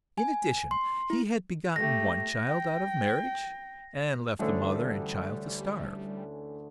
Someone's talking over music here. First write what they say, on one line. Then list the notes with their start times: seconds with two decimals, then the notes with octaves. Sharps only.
In addition, he had begotten one child out of marriage, and left the mother and child to starve.
0.18 G#5
0.71 C6
1.10 E4
1.76 A3 G4 A#6
2.48 G5
4.39 D2 D3 E3 G3 A3 C#4